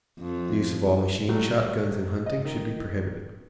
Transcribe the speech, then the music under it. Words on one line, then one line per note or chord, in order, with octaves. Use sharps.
The use of all machine shotguns in hunting should be prohibited.
F2
A2 F#3 G3
D#5
D#3